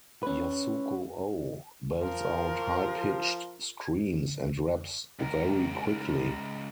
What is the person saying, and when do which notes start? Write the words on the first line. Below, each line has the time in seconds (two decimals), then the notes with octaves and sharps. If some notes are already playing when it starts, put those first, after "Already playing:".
Yasuko O. belts out high-pitched screams and raps very quickly.
0.23 C#4 B4
2.02 F3 F4 A#4
5.19 C#2 A#4